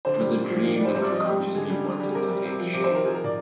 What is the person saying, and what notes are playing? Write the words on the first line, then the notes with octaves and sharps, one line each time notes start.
It was a dream that unconsciously wanted to take shape”.
D3 C5
G3
A#2
F3
D#3
D5
G3 C5
C3 C5
D5
F3
D#5
G3 G4
G#2
D3 G#4
G3
D3
G3
G#4
C3 A#4
G3
C3
F3
C3
C5
D#3 A#4
F3 G#4
A#4
D5